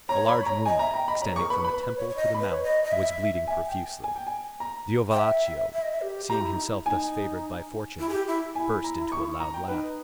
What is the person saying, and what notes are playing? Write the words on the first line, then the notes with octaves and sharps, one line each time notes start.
A large wound, extending from the temple to the mouth, was bleeding profusely. Diovalaccio, seeing himself thus favored by fortune, burst into a loud laugh.
C#5 A#5
B5
A#5
D#5 G#5
E5 A#5
G5 A#5
D#5 B5
C#5 A#5
G#4 C#6
A#4
B4 B5
B5
B4
C#5
C#5
D#5
B5
B4
C#5
D#5
D#5
E5
E5 G#5
G5
G#5
G5
G#5
A#5
G5
E5
E5
D#5
E5
G4
G4 A#5
E4
D#4
E4
D#4 G#5
E4
G#4
G4
E4
E4 G#5
A#5
C#6
A#5
G5
D#4 B4